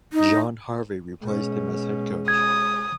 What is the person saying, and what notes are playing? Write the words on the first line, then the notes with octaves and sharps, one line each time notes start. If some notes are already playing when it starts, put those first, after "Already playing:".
John Harvey replaced him as head coach.
D#4
B2 G#3 C#4
D#6 G#6